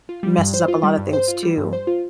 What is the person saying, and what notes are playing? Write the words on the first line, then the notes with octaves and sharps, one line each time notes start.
messes up a lotta things, too.
F4
G3
G2
C5
F4
G3
G2
C5
F4
G3
G2
C5
F4